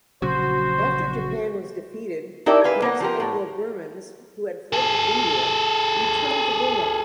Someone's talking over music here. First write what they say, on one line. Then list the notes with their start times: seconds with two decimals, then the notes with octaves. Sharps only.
After Japan was defeated, most Anglo-Burmans who had fled to India returned to Burma.
0.22 A#1 C#3 F#3 F#4 C5
2.46 D#4 E4 G4 A4 A#4 D5
2.64 B4 F5 G#5
2.82 A#3 B3
3.00 F3 G4 A#4
3.20 A2
4.73 G#4 A4